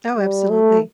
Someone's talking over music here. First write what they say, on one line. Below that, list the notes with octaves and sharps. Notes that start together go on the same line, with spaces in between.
Oh, absolutely.
G3
A3